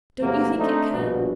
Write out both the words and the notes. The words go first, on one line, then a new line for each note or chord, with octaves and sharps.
Don't you think it can?'
E2 A2 C3 F#3 A#3
A3 C4 D4 D#4
A#1 G2 B2